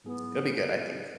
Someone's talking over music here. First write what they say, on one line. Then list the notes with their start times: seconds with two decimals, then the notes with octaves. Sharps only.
it'll be good, I think.
0.04 G#2 F#3 B3 E4 G#4